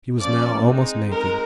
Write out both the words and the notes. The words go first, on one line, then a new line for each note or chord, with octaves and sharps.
He was now almost naked.
F3 A#3 C#4 D5
G#3 C4 D#4
G#3 C4 D#4 A#4